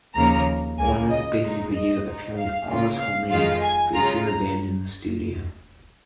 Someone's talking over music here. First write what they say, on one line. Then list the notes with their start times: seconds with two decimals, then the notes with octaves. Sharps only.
One is a basic video, appearing almost homemade, featuring the band in the studio.
0.15 D#2 C#3 F3 A#3 A#5
0.78 C#2 C#3 A#3 G#5
1.10 D#5
1.41 A#2 G#3 D#4
1.73 D#5
2.05 G#2 G#3 D#4
2.36 F5
2.68 C#3 A#3 F4
2.99 F5
3.31 F2 D#3 G#3 F4 F5
3.62 G#5
3.94 C#3 G#3 F4 A#5
4.26 A#5